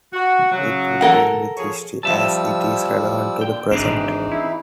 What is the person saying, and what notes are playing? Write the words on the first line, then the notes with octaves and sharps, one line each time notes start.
It would deal with history as it is relevant to the present.
F#4
C#3 F#3
A4 A#4 F#5
F3 G#4 C#5
F2 F3 G3 E5 A5 E6
A#2 D3 G5
G#1 E3 C4 D4 D#4 G#4
E4